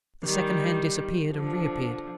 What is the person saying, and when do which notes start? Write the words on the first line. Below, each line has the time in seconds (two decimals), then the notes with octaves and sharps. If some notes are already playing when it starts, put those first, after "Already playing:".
The second hand disappeared--and reappeared.
0.25 D#3 G3
1.32 D3 F3